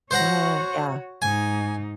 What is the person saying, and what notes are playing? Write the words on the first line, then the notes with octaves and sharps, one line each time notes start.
Oh, yeah.
F#4 C5 C#5 F#5 A#5
G#2 D#4 G#5